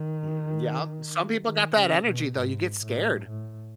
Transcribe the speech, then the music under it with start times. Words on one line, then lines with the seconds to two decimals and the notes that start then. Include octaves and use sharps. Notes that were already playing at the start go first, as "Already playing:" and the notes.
E hmm, yep. Some people got that energy though, you get scared.
Already playing: D#3
1.44 D#3
1.75 C#3
2.06 B2
2.36 G#2
2.82 A2
3.29 A2